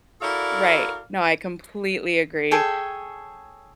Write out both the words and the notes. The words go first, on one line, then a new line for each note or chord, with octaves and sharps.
Right, no, I completely agree.
E4 F#4 A4 A#4 D5 F5
G#4 A4 C#5 G5